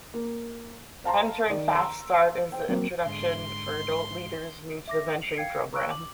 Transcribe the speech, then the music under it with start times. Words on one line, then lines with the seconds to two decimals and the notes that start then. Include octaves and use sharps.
Venturing Fast Start is the introduction for adult leaders new to the Venturing program.
0.14 A#3
1.04 C5 F5 A5 A#5 C6
1.50 D#3 D5
1.75 A#5 C6 E6
2.52 C5 G5
2.69 F#3 A#3 C4
3.06 G#2 D3 C6
4.88 E5 D6 A#6
5.21 C7 C#7 F7 F#7
5.36 F5 G5 G#6 C7 C#7
5.73 A#5 C#6 E6 F#6 D7
5.90 D6 F#7